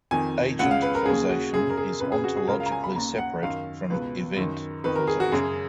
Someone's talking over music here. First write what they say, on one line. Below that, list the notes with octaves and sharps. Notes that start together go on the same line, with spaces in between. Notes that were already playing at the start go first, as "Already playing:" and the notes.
Agent causation is ontologically separate from event causation.
F2 D#3 G#5
C#2 C#3 F#5
F5
B4
A#4
D#2 C#3 G#4
F#4
F#2 C#3 G#4
A#4
G#4
F2 C#3 B4
G#4
F#4
G#4
C#2 C#3 A#4
F5
A#5
G#5
B5
D#2 C#3 A#5
F#5
F#2 D#3 F5
C#2 B2 B4
F#2 D#3
F2 D#3 B4
A#4
G#4
F#4
F#2 C#3 G#4